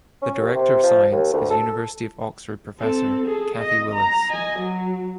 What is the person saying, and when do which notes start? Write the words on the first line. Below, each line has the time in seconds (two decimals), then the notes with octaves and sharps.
The Director of Science is University of Oxford Professor Kathy Willis.
0.22 C#4
0.38 D#2
0.54 C3
0.83 F3
1.12 D#2
1.33 D2
1.50 A4
2.79 C4 A4
3.26 G#4 A4
3.59 D#5
3.94 A#5
4.30 D#5 G#5
4.59 F#3